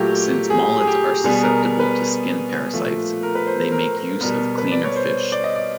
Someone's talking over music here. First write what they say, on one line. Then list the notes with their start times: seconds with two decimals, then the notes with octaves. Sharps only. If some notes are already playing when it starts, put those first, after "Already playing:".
Since molids are susceptible to skin parasites, they make use of cleaner fish.
Already playing: A#2 F#3 A3 G4
0.50 G#4
0.81 G#4
0.87 G4
1.24 B2 G3 B3 G#4
1.43 A#4
1.62 A#4
1.80 B4
2.73 A#2 F3 A3
3.23 A#4
3.35 B4
3.47 C5
3.72 A#4
3.97 A#4
4.21 B2 G3 B3 A#4
4.58 B4
4.72 D5
4.84 C#5
4.96 C5
5.32 D5
5.44 D#5
5.56 D5